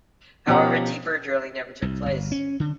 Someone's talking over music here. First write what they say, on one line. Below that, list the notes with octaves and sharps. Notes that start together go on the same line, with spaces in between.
However, deeper drilling never took place.
B2 F3 C#4 G4 F#5 A#5
C2
G1
C#4
D3